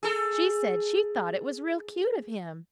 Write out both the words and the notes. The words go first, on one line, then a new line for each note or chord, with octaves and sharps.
She said she thought it was real cute of him.
G#4 A4